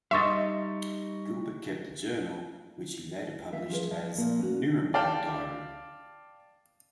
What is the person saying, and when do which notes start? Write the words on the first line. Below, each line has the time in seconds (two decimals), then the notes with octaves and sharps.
Gilbert kept a journal, which he later published as "Nuremberg Diary".
0.11 G3 D#4 D#5 E5 C6 C#6 A6
3.52 E3 E5 F5
3.69 F3 F4 G#4 B4
3.91 F3
4.17 A#2 F3 A#3
4.39 C#4 F#4
4.94 D5 F5 G5 A5